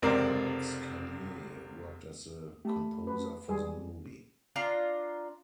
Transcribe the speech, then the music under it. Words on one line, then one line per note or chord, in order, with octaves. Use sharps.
Alex Callier worked as the composer for the movie.
F1 C#2 C3 C4 A#4 D5
A3 G4 A5 B5
B4
E2 G3 G#3 G#4
D4 F4 A#5